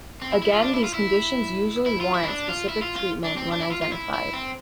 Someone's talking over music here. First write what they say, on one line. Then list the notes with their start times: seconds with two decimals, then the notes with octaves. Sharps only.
Again, these conditions usually warrant specific treatment when identified.
0.22 C4
0.32 E4
0.42 E4
0.53 F4
0.63 D4
0.73 E4
0.84 F4
0.94 E4
1.86 E4
2.01 F4
2.14 E4
2.23 C4
2.28 D4
2.49 F4
2.69 E4
2.82 F4
2.96 F4
3.24 D4
3.37 C4
3.51 D4
3.61 E4
3.71 F4
3.82 F4
3.92 E4
4.14 E4
4.33 C4